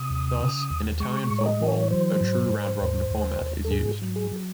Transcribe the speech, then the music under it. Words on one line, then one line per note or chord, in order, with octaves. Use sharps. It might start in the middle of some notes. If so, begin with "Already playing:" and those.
Thus, in Italian football a true round-robin format is used.
Already playing: C3 D#6
D#2
C#3
D#2
G#3 C#6
C#6
A2
C#5
D#5
E3
C#5
F#3 C5
G#2
G#2
D#2
D#2
D#2
A4
G#2 G#4
F#3
G#4
F#3